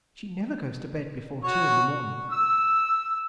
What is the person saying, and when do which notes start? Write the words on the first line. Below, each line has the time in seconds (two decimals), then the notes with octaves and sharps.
She never goes to bed before two in the morning.
1.44 F#4 C#5
2.30 E6